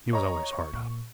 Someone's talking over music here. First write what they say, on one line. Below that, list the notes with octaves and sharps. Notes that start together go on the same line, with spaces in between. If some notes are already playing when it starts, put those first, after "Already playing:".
He was always hard up.
C#5 D#5 A#5
C#6
A#2